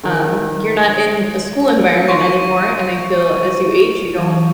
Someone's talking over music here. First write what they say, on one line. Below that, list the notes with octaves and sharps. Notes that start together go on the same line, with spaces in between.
um, you're not in a school environment anymore, and I feel as you age you don't
D#3
C6 C#6
E3 F#3